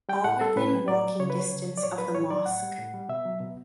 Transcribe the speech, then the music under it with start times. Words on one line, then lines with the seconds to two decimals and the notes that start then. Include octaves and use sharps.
All within walking distance of the mosque.
0.09 G3 G5
0.24 A2 F#5
0.41 G3 A4
0.56 A2 B4
0.72 F#3
0.88 A2 D5
1.04 F#3
1.19 C#3 C#5
1.30 B4
1.35 F#3 C#5
1.51 C#3
1.66 F#3
1.78 D5
1.83 A2 C#5
1.98 F#3 B4
2.15 A2 C#5
2.30 F#3 D5
2.46 A2 F#5
2.62 G3
2.78 A2
2.93 G3
3.09 B2 E5
3.25 F#3
3.40 B2